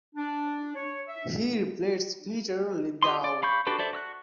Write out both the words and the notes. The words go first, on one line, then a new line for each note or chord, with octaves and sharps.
He replaced Peeter Lindau.
D4
C#5
E5
F4 G4 D#5 C6
D5
F5 B5 C#6 G6
D4 F#4 G4 A4 B4
A4 C5 D5 E5
F#4 E6 F#6